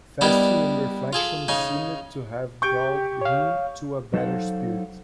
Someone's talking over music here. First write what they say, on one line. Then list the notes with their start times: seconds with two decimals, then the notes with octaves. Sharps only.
Fasting and reflection seemed to have brought him to a better spirit.
0.21 G3 B3 D4 E4 A#4 D#5
1.13 F4 G#4 A4
1.48 C#3 D#4 G#5
2.62 G4 C#6 G6 D7
3.21 C#5 F5
4.14 F#3 D#4 A4 C5 F5 F#5